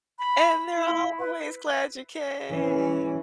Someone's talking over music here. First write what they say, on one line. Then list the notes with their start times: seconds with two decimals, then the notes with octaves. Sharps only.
"And they're always glad you came."
0.19 B5
0.76 E4
1.19 B4
2.51 E3 C#4